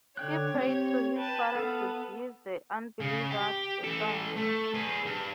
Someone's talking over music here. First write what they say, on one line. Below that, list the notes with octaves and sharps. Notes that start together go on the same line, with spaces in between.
He prayed to his father to give the unbelievers a sign.
D3 C#5 G5 F#6
C4 G4
B4 G5 A5
B3 A4 B4 F5
C#3
G4
E3 A4
A3
G#4 B4
G2